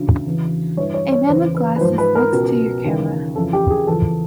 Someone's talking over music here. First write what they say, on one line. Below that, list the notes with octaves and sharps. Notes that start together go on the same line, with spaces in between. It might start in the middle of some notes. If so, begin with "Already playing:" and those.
A man with glasses looks to your camera.
Already playing: D2 C#3 E3
E2 C#3 E3
G2 E3 C#5
C#5
C#5
E2 C#3 E3 C5
B4
B4
G#2 F3 C5
B4
A#4
C#2 B2
D#2 C#3 E3
F2 C#3 E3 A4
G4
G#4
E2 C#3 F3 A4